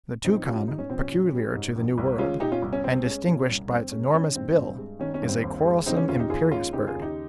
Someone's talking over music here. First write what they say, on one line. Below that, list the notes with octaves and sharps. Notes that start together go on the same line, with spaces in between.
The toucan, peculiar to the New World, and distinguished by its enormous bill, is a quarrelsome, imperious bird.
A#1 C4 D#4
G3 C#4 F4
G#2 D#4
C#4
A#1 C4
C#4
A#1
G3
G#2
A#1
C2
G#3 C#4 F4
A#2 D#4 G4
C#4 F4
C2
C#4
C2 C4
G#3 C#4
A#2 C#4
C2
G2 C4
G#3 C#4
D#3 C#4
G2 C4
G2
G#3
D#3 C#4
C#4
G2
C4
D#2
G#3
C#3 C4 D#4
C#4
D#2 C#4 F4
D#4 G4
D#2 F4 G#4
G#3 C#4 F4
C#3 D#4 G4
F4 G#4
D#2
D#4 G4